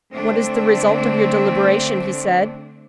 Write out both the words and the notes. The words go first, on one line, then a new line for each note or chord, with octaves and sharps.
"What is the result of your deliberation?" he said.
D3 A3 C4 D4